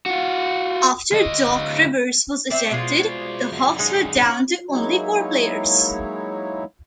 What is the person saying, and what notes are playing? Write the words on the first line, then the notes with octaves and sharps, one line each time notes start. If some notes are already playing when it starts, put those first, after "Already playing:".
After Doc Rivers was ejected, the Hawks were down to only four players.
F4 F#4
D2 D#5
C4 C5 D5 E5
B2 G#3 F4
F#2 D3
G#3 D#4
C#4 F#5
F#3 G#3 A#3 D#4 E4 C#5